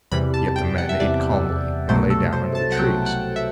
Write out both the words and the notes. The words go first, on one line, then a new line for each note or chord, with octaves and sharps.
Yet the men ate calmly and lay down under the trees.
E2 C3 E3 G3 B5
A5
G5
F#5
E5
E2 C3 E3 G3 D5
C2 B2 F#3 A3 C5
A4
C5
A5
F#5
C2 B2 F#3 A3 G5
F#5
E5